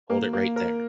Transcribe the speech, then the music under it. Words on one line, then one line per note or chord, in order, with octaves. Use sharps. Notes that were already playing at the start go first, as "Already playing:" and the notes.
Hold it right there!
A#3
A#3
A#4